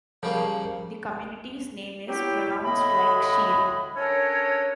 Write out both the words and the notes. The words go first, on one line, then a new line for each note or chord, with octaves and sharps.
The community's name is pronounced like sheer.
C#3 F3 G3 A#3
F#3 E4 G4
A2 D3 G#3 D#5 B5
C#4 D4 A4 A#4 C#5